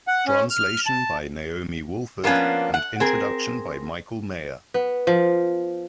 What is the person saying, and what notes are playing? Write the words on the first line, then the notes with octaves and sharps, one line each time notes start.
Translation by Naomi Walford and introduction by Michael Meyer.
F#5
C#4
F6
A5
F3 A#3 B3 C#4 D4
F#5
C4 G#4 A#4
B3
F3